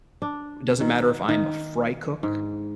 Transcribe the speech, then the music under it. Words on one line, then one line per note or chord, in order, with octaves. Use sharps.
it doesn't matter if I'm a fry cook
D4
D#3
D#3
G#2